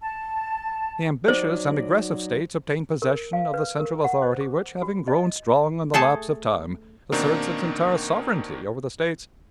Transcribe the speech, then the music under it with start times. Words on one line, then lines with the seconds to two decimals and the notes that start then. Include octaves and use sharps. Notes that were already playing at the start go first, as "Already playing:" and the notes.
The ambitious and aggressive States obtain possession of the central authority which, having grown strong in the lapse of time, asserts its entire sovereignty over the States.
0.03 A5
1.28 F#3 D#4 C5 D5
3.02 A#4
3.33 F5
3.54 B4
3.80 A#4
4.04 F#5
4.22 C5
4.41 D6
4.82 F#4
5.08 D#5
5.94 A3 G#4 A4 A5
7.12 B2 D#3 A#3 C4 D4 D#4